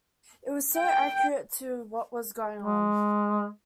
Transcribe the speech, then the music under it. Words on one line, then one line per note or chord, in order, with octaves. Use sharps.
It was so accurate to what was going on.
G5
G#3